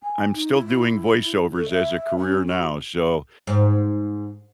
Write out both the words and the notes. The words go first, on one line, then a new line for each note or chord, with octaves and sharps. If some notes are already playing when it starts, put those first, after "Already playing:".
I'm still doing voiceovers as a career now. So,
G#5
D#4
E4
E4
A4
E5
C#4
F#4
G#2